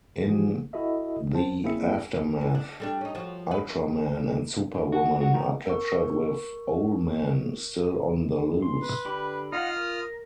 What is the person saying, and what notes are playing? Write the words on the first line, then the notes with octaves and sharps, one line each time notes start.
In the aftermath, Ultraman and Superwoman are captured with Owlman still on the loose.
E3 F3 G4 G#4
E4 F#4 A4 D#5 E5
C4 C5 A5
A#3 C4 E4 G#4 E5 C#7
E3
D4
G3 A3 D4
C#4 D#4
F3 F#4
B4
F#4
F#4
D#3
A#4 C#6
C6
B4
D3 G4 B5
D#4 F4 F5 F#5 D#6 F6
A#4